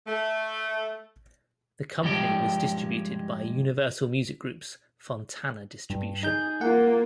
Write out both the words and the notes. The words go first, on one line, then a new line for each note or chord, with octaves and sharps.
The company was distributed by Universal Music Group's Fontana Distribution.
A3
G2 F3 G#3 G4 G5
G2
D#4 G#4 G6
A#3 F4 F#5